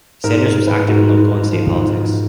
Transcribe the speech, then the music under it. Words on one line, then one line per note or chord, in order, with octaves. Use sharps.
Sanders was active in local and state politics.
G#2 A#4
G#2 A#4
G#2 B4
G#2 F#4
G#2
G#2
F3
G#2
G#2